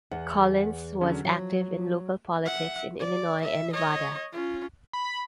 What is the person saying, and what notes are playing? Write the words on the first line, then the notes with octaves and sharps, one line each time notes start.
Collins was active in local politics in Illinois and Nevada.
E2 F#5
D3 F#3 C#4
F3 F#3
E5 F#5
D5
E5
C#5 D#5
C#4 F4
B5